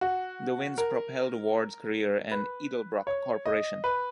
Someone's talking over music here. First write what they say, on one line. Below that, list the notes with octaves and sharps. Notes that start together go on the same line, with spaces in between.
The wins propelled Ward's career and Edelbrock Corporation.
F#4
A#4
B4
C#5
D#5
B4